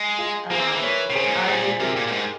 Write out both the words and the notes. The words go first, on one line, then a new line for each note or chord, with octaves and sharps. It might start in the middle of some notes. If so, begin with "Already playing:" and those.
um, I
Already playing: G#3
F4 G#4
A#3 G#4 C5
C4
A#3
E3
A#4 C#5
C3
C#3 G#4 C5
G#2
A#2
G#2
A#2 G#4 C5
G#4
C3 G4 A#4
A#2
A#2
G#2